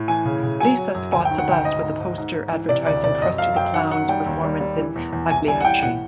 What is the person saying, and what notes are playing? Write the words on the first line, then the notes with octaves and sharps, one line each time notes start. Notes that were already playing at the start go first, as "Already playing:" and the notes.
Lisa spots a bus with a poster advertising Krusty the Clown's performance in "Pagliacci".
Already playing: A2
E3 G#5
C#3
C#3
F#3 G#5
F#3
F#2
D2 G#5
G5
D#3
F#5
D2 G5
G#2 D#5
G#2
G#2
G#2
G#2
E3
C3 D5
D2 D5
C3 D5
F#2 D#5
F#2 F5
F#2 G5
D#3 F#5
D#3 F#5
G3 G5
D#2
G3
G3
E3
E2
E2
C2 G#5
G3 G#5
F#5
E3 G5
A2 F#5